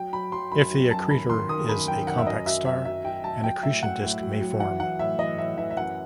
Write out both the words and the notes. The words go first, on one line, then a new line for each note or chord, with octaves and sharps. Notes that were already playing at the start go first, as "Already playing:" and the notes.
If the accretor is a compact star, an accretion disk may form.
Already playing: F#3 G5
F#3 B5
F#3 C6
F#2 B5
F#3
F#2 A5
D#3 B5
D#3 C6
D#3 D#6
F#2 B5
F#2 G5
D#3 F#5
E5
F#2 D#5
F#3 E5
F#2 E5
F#3 E5
F#3 G5
F#3 A5
F#3 G5
A2 E5
F#3 F#5
A2
F#3
F#3
E3 F#5
E3 F#5
A2 E5
E3 D#5
A2 E5
E3 E5
E5
F#2 F#5